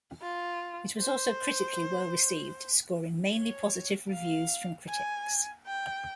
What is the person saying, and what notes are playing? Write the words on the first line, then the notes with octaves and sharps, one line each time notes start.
It was also critically well-received, scoring mainly positive reviews from critics.
F4
C5
C#5
F5
G#5
G5